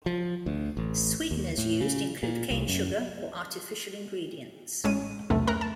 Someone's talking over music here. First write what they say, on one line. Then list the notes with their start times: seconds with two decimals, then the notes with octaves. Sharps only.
Sweeteners used include cane sugar or artificial ingredients.
0.06 F3
0.46 D2
0.77 A1
1.31 D#2
1.58 A2
1.80 C#3
2.23 A#2
2.51 C2
2.68 F#2
4.84 A1 G#3 C#4 D#7
5.30 B1 E2 G2 C3 A3
5.47 C#3 A3 A#4 A#5 F#6
5.61 A5